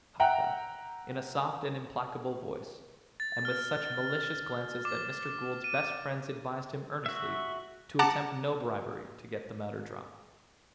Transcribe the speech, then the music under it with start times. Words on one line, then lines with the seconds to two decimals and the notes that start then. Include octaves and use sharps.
Marta, in a soft and implacable voice, and with such malicious glances that Mr. Gould's best friends advised him earnestly to attempt no bribery to get the matter dropped.
0.20 E5 F#5 G5 A#5 F#6
3.20 A6
3.45 F6
4.85 D6
5.64 D#7
7.06 F#4 E5
7.99 F#5 A5 A#5 D6